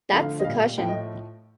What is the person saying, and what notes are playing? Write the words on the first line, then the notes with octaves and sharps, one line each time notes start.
That's the cushion.
D3 F3 A3 F5
F5
D#5
A#2 G3 A#3 F5
A2 F3 A3 G5
D#5